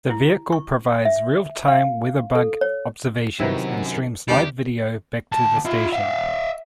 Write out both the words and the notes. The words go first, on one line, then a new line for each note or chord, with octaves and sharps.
The vehicle provides real-time WeatherBug observations and streams live video back to the station.
E4
C#6
E5
F5
A4
C#5
F#2 C3 D#3 E4 B4
E2 D#3 G3 D4 G4
D2 A5
F4 E5
E5 F5